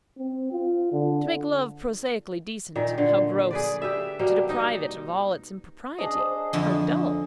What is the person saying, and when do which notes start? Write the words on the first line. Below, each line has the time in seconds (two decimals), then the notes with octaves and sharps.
To make Love prosaically decent, how gross! to deprive it of all impropriety, how dull!
0.18 C4
0.52 F4
0.92 D3
2.76 A#2 D#3
2.98 D3
3.51 G#4 B4 D5
3.82 G4 B4 E5
4.19 B2 G3 A#3
4.49 D#4
5.98 D4 G#4 D#5
6.19 C5
6.53 F2 D3